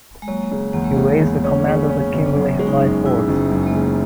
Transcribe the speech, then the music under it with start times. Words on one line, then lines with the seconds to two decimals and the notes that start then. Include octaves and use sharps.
He raised and commanded the Kimberley Light Horse.
0.22 G#3
0.28 F#3 A#3
0.51 C#3
0.73 E2 A#3
0.84 G#3
0.95 C#3 A#3
1.20 E2 B3
1.44 C#4
1.67 C#3
1.89 C#4
2.13 F#1 B3
2.36 F#2
2.59 G#3 C#4
2.67 D#4
2.76 C#4
2.82 F#2
3.06 C#3 E4
3.28 F#1
3.36 G#3
3.51 F#2
3.63 G#3
3.67 A#3
3.74 C#3